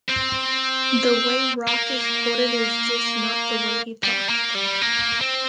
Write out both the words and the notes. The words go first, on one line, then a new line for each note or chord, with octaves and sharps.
The way Rock is quoted is just not the way he talked.
C4
A#3
G3
A#3
G3
A#3
C4